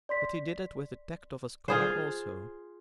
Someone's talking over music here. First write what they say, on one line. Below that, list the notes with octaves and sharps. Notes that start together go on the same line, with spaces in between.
But he did it with the tact of a scholar also.
D5 C6 B6
F4 G#4 C5